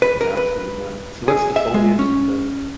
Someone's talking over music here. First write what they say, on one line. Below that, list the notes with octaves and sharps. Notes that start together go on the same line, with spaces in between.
Absolutely not. So, what's the foliage and the
B4
A#4
B4
G#4
E5
G#3
C#4